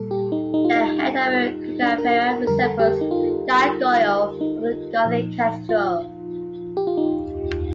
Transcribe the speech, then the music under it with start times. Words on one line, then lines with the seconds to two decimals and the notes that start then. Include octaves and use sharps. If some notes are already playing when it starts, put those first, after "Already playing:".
The head of the Cucafera resembles a gargoyle of the Gothic Cathedral.
Already playing: A#2 G3 A4
0.11 G4
0.32 D#4
0.54 D#4
0.65 F4
0.76 D#4
1.83 D4
1.98 A#4
2.30 A#4
2.47 F2 D3 G3 A#4
2.64 A4
2.79 G4
3.01 D#4
3.11 F4
4.41 D#4
5.05 A#2 F3
5.69 F4
6.77 G4
6.87 F4
6.97 D#4